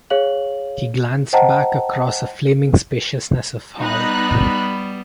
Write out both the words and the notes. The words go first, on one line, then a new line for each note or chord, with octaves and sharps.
He glanced back across a flaming spaciousness of hall.
G#4 C#5 F5 F#7
C5 D#5 F#5 G5 A5 A#5
G3 B3 D#4 B5 F#6